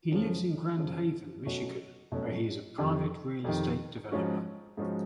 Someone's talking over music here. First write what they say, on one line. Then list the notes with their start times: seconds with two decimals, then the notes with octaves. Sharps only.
He lives in Grand Haven, Michigan where he is a private real estate developer.
0.12 F#2 C#3 F3
0.78 F#2 C#3 F3
1.45 B2 F#3 A3 C#4 F#4
2.12 B2 F#3 A3 C#4 F#4
2.78 F2 C3 D#3
3.44 F2 C3 D#3
4.11 G#2 F3 G#3 C#4 F#4
4.77 G#2 F3 G#3 C#4 F#4